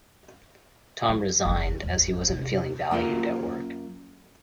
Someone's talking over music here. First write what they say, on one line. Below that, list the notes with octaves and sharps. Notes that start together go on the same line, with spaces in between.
Tom resigned, as he wasn't feeling valued at work.
F#3
F#1 F#2
G#1 E2
C3
F#2 A#3 F4 A#4